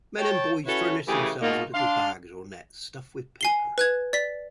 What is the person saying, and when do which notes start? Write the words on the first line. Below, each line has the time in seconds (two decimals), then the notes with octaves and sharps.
Men and boys furnished themselves with little bags or nets stuffed with paper.
0.18 C#5 G5 A5
0.67 C#4 E4 F#4 A4 B4 C#5
1.08 C#3 E3 A3 G4 G#4
1.42 B2 G#3 A#3 D#4 F4 F#4
1.74 D4 F5 C6
3.41 G#5 C7 G7
3.78 B4 F#6 G#6
4.13 D5 B6